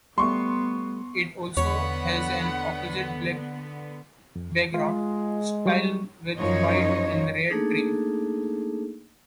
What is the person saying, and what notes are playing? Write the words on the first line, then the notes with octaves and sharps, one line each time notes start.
It also has an opposite black background style with white and red trim.
G3 A3 B3 C6 C#6
E2 D3 B3 C#5 F#5 B5
F2
G#3 F4
F#3 G3 C#6
F#2 F3 D#4 C#5 D#5
A3 A#3 D4 D#4 G#4 A4